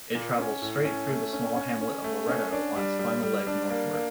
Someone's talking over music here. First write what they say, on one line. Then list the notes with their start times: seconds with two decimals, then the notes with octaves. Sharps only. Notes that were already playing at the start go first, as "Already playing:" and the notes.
It travels straight through the small hamlet of Loretto on its final leg northward.
0.15 A#2
0.39 C#4
0.62 A2
0.85 C#4
1.09 A3
1.33 C#4
1.56 C#4
1.81 C#4
2.04 A3
2.28 C#4
2.52 D4
2.76 G3
2.99 G3
3.23 G3
3.47 D4
3.70 A#3
3.94 A#3